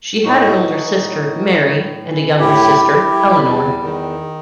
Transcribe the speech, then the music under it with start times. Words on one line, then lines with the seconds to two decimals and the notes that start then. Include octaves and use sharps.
She had an older sister, Mary, and a younger sister, Eleanor.
0.24 A2 D#4 F#4
0.60 E3
0.97 A2
1.33 E3
1.67 A2
2.03 E3
2.39 A2 E4 G4
2.76 G3
3.11 G3
3.47 E2
3.82 D#3